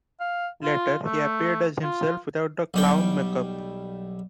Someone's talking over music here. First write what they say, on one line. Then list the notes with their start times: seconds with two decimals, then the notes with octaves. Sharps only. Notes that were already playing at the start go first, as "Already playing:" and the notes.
Later, he appeared as himself without the clown makeup.
0.20 F5
0.63 F4
1.06 A3
1.83 F4
2.74 B1 G3 G5